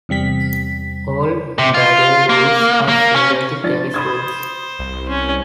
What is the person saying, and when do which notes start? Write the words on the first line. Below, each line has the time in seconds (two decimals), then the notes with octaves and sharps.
All paddle rules are similar to tennis rules.
0.09 E2 C3 G3 B6
1.59 C3
1.74 F4
2.29 A#3
2.89 A#3
3.16 C#4
3.64 F3 D4 A6
3.94 C5 B5 D#6 G#6
4.79 C2
5.09 C#4